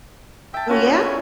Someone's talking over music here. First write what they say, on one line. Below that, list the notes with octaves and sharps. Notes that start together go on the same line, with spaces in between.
Oh, yeah?
E5 G5 A5
C#4 F4 F#4 B5
B3 D4
A3 E4 B4